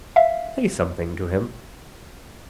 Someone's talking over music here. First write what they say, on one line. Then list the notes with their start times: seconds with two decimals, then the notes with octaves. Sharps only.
Say something to him.
0.16 E5 F5